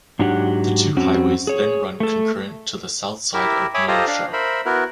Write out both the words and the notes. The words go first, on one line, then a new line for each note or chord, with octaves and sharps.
The two highways then run concurrent to the south side of Neosho.
G#2 F#3 D4 G4 F#5
F2 C4 C#4 F#4
G#4 C#5
A3 A4
E4 G4 A#4 E5
C#5 E5 G#5 B5 D6 D#6
F4 G4 A4 C5 D#5 A#5
D4 F5
A#4 C5 E5 B5
B3 E4 F#4 A#4